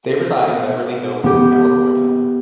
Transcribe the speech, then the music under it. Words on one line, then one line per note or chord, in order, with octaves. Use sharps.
They reside in Beverly Hills, California.
B3 G4